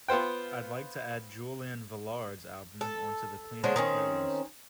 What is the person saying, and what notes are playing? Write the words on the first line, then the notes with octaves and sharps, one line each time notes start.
I'd like to add Julian Velard's album onto the cleaning playlist.
B3 F4 C5 G5
A4
D3 G#3 C5 C#5
D#3 C4 C#4